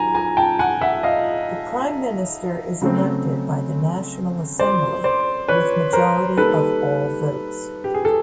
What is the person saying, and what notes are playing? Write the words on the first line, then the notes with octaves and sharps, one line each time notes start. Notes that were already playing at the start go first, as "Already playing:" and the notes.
The Prime Minister is elected by the National Assembly with majority of all votes.
Already playing: D#3 F#3 G#5 A#5
G#5 A#5
G5 A5
F#5 G#5
E5 F#5
D#5 F5
C#3 F#3 A3 C4
C5 D5
C5 D5
B4 C#5
A#4 C5
D#3 G3 A#3 A4 B4
G4
G#4
A4